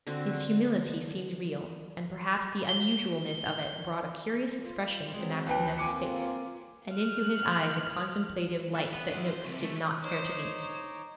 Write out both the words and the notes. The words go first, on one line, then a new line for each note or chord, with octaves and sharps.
His humility seemed real, and perhaps the unusualness of it brought a curious expression to Maxineff's face, and into his eyes a contemplative light that Noakes did not care to meet.
D3 C4 F#4
G7
F4
F#3 G#3 C4
D#2 B4 G5
A#3 C4 F4 G#5 D6 C#7
F6 F#6
A4
B3
E4 F#5
C5
C2 C3
G#3 A3
D#4 C5 C#5 D6